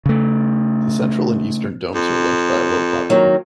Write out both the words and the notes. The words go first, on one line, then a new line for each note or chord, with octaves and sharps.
The central and eastern domes are linked by a low platform.
C#3 A3
F2
D#3 F#3 A#3